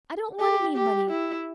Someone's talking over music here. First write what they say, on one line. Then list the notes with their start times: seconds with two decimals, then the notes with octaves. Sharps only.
I don't want any money.
0.40 G4
0.76 G4
1.10 E4